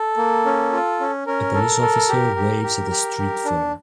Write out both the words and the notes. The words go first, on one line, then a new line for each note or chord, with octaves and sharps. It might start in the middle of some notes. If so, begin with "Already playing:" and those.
A police officer waves at a street fair.
Already playing: A4
A#3
C#4
F4
C#4
C#4 A#4
A4
A4
G4
G4
G4
G4
G4
D4